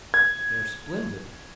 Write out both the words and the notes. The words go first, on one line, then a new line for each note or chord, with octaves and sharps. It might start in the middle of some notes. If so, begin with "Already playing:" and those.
They are splendid.
G#6